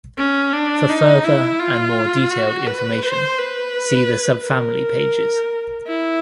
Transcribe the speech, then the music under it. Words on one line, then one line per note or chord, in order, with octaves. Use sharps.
For further and more detailed information, see the subfamily pages.
C#4
D4
D#4
E4
F4
F#4
B4
C5
B4
A#4
E4